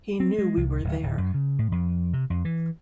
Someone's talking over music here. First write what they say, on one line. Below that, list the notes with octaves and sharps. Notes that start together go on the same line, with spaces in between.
He knew we were there.
C4
G#3
C2
D1
D1
F#2
C#3
A2
F2
C3
F2
E3